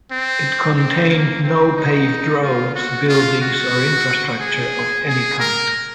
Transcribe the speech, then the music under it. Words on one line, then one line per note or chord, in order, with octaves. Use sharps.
It contained no paved roads, buildings or infrastructure of any kind.
C4
C4
A#3
C4
D#4
F4
F#4
F4
F#4
G#4
G#4
A#4